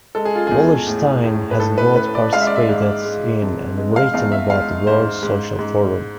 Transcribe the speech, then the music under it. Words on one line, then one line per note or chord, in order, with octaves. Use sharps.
Wallerstein has both participated in and written about the World Social Forum.
G#3 A4
G#4
F4
E2 G#4
A2
A2
B4
A2 A4
B4
A2 B4
D5
G#3 F5
E5
D5
E5
G#2
G#3
F2
G#3
F5
E2 F5
E5
G#3 F5
G#2 C5
G#2
G#2